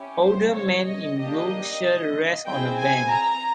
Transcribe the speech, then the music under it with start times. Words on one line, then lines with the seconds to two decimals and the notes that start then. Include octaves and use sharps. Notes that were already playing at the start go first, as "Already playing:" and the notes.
Older man in blue shirt rest on a bench.
Already playing: C#4 E4 G4
0.22 C5
0.54 C#5
0.87 D#5
1.18 A#3 D4 G4 D#5
2.46 C4 E4 G#4 G5
2.79 G#5
3.10 A#5